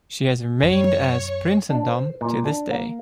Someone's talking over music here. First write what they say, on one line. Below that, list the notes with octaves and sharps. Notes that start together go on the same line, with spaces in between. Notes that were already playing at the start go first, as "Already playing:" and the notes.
She has remained as "Prinsendam" to this day.
F#2 C#5
D4
C5
A#2
D4
A#3